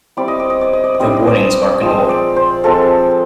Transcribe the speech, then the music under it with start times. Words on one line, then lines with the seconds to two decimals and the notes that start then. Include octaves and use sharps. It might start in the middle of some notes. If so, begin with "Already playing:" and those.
The warnings were ignored.
0.17 G3 C4 E4 D5
0.28 D#5
0.40 D5
0.50 D#5
0.61 D5
0.73 D#5
0.84 D5
0.94 D#5
1.00 G3 C4 E4
1.06 D5
1.17 D#5
1.27 D5
1.81 F3 G#3 C4 D#5
2.09 D5
2.36 C5
2.64 F3 G#3 C4 A4